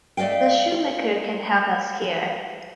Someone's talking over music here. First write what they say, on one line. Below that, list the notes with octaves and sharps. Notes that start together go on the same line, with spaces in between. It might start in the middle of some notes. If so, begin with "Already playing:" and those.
The shoemaker can help us here.
A3 D5 D#5 F5 G5